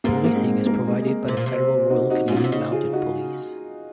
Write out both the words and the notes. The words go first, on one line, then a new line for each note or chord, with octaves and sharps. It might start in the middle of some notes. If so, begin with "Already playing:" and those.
Policing is provided by the federal Royal Canadian Mounted Police.
G#2 A#3
A#3
G#3 C4
A#3
G#3
G#3
A#3
C3
A#2
C3
D#4 F#4
D#4 F#4
G#2 C#4 F4
A#2
C3
C#3 D#4 F#4
F4 G#4
D#4 F#4